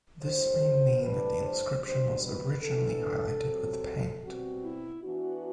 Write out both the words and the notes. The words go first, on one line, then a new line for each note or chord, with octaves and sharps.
This may mean that the inscription was originally highlighted with paint.
A2 G3 D4 C5
A2 G3 D4 B4
C5
B2 G3 D4 C5
B4
E3 B3 D4 A4
C3 F#3 C4
B2 G3 C4 F#4
E4
E3 B3 D4 F#4